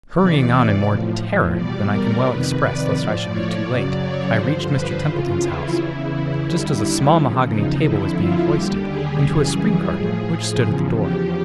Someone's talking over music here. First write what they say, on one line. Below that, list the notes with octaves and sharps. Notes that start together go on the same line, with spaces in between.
Hurrying on in more terror than I can well express lest I should be too late, I reached Mr Templeton's house just as a small mahogany table was being hoisted into a spring-cart which stood at the door.
E2 C3 E3 D5
D5
A2 F3
E2 B2 G3 D5
A#4
F2 C3 D#3 B4
D5
A2 F3
C#5
F#2 C#3 F#3 D5
C#5
G2 D3 F3 C5
B4
F2 C#3 E3 F4
E4
E2 C#3 E3
D#2 D3 G3 E4
E2 C#3 F3
D#4
F2 D3 F3 E4
F4
D#2 D3 G3 G4
G#4
F#2 C#3 E3 G3
A2 F3 G#4
E2 C#3 F3
G4